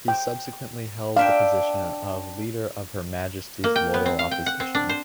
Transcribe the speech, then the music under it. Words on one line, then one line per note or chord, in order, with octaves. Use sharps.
He subsequently held the position of Leader of Her Majesty's Loyal Opposition.
G5
D4 E5 F5 G5
A#3
G5
B3
C4
F5
G5
F#5
C4
D4
C5